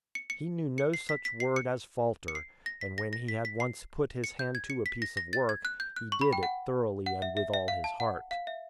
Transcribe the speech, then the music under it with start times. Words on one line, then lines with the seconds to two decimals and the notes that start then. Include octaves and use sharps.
He knew no such word as falter, and when he had once put his hand to a piece of work, he did it thoroughly and with all his heart.
0.15 C#7
0.30 C#7
0.78 C#7
0.94 C7
1.09 B6
1.25 B6
1.40 C7
1.56 C#7
2.28 C#7
2.35 C7
2.66 A#6
2.81 B6
2.98 A#6
3.13 A#6
3.28 B6
3.45 B6
3.60 C7
4.24 C#7
4.39 G6
4.55 G#6
4.70 C#7
4.86 B6
5.02 A#6
5.17 A#6
5.33 A6
5.49 G#6
5.65 F#6
5.80 G6
5.96 F#6
6.12 C#6
6.21 B5
6.33 G5
6.43 F#5
7.06 F#5
7.22 E5
7.37 E5
7.54 E5
7.68 F5
7.84 A5
8.00 F#5
8.31 F5
8.47 E5